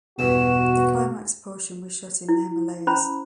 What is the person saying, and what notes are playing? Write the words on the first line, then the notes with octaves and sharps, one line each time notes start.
The climax portion was shot in the Himalayas.
E2 G2 B2 E3 F#4 E7
E4
C#4 C5 A#5 B5